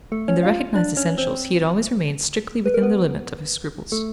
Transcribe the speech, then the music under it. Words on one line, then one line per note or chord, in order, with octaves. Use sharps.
In the recognized essentials he had always remained strictly within the limit of his scruples.
A3 A4
C#4 C#5
F4 F5
D4 D5
C#4 C#5
C4 C5
B4
A#4
B3 B4
A3 A4